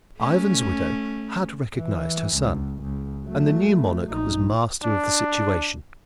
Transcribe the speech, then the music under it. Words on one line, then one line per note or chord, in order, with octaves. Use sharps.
Ivan's widow had recognized her son, and the new monarch was master of the situation.
A3 C#4
E3
C#2
C#2
F#3 A3
A#1 D#4
D4